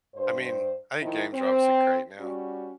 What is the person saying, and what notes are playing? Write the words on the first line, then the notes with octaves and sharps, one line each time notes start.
I mean, I think games are obviously great now.
G2 C5
D#3 F3 E4
C4
G3 C#4 F#4